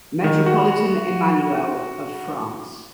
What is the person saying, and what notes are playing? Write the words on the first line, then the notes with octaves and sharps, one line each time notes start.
Metropolitan Emmanuel of France.
D#3
F#4